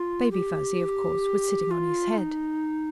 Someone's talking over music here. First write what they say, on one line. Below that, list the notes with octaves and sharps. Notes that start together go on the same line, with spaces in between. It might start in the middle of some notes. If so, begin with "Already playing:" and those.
Baby Fuzzy, of course, was sitting on his head.
Already playing: F4
G4
F4
D#4